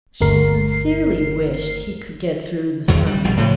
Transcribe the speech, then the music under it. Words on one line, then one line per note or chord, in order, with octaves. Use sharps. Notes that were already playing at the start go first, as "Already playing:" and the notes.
She sincerely wished he could get through the summer.
G1 D2 A#4 C7
E2 D#3 F#3
G3
A#1 B2 G3
A2 C#3 F3